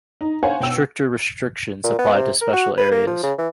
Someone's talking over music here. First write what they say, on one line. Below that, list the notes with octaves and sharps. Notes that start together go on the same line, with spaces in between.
Stricter restrictions apply to "special areas".
D#4
C5 C#5 F5 F#5 G#5
B2 G5 E6
A#2
B3
C3
A#4
F#4
B4
A#3
F3
C#3
E3